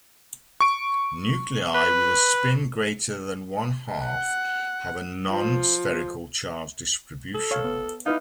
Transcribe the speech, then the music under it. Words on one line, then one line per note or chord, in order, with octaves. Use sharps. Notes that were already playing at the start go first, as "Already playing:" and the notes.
Nuclei with a spin greater than one-half have a non spherical charge distribution.
C#6 D7
B4
F#5
F3
A4
C#5 F5
B3
D#4 E4 B4 F5